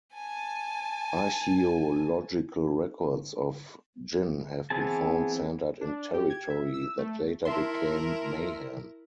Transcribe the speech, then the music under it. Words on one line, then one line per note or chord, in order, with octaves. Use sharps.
Archeological records of Jin have been found centered in territory that later became Mahan.
G#5 A5
E3 B3 C4 G#4 A5
D4
G4
G#6
E5
E6
A3
E4 A#4 E5 A5 C6